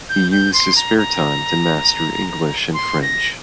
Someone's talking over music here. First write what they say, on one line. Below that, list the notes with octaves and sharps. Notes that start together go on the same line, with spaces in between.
He used his spare time to master English and French.
G6
G6
C6
A#5
A#5
C6
A#6